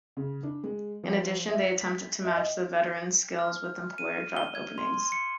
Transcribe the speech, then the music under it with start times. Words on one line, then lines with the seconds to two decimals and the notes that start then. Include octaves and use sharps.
In addition they attempt to match the veteran's skills with employer job openings.
0.17 C#3
0.43 D4
0.64 G#3
1.03 F3
1.49 E5
1.61 B6
1.81 B6
2.24 E5
2.37 D#5
3.39 F6
3.98 D#7
4.37 G7
4.55 G#6
4.78 C6
5.12 C#7